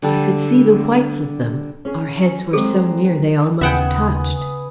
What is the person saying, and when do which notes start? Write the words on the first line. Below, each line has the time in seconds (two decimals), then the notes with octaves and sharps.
I could see the whites of them; our heads were so near they almost touched.
0.02 D3 G3 A4
1.85 C#4 G#4 C#5
2.53 F#3 G#3 C4 G#4 A4
3.61 D#2 C#3 B3 G#4 E5 F#5 G5